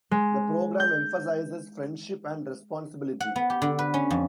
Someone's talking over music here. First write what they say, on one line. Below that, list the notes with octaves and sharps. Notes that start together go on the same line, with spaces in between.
The programme emphasizes friendship and responsibility.
G#3
G6
F#5
B3
G4
D3
B4
C#4
F2